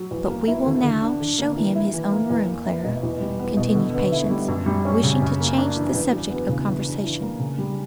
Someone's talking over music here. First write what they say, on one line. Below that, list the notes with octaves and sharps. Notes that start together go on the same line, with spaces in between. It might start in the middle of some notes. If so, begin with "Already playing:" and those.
"But we will now show him his own room, Clara," continued Patience, wishing to change the subject of conversation.
Already playing: F#3
E2
A#3
E4
D3
D3
D4
D3
A#3
E3
E4
E3
A#3
E2
A#3
E4
B2
E2
G3
B3
B2
D3
B3
E4
G3
F#2
G3
C#4
C#3
F#2
A#3
D4
E3
E2
F#3
B3
C#3
E3
D4
E3
A#3
C#3
G3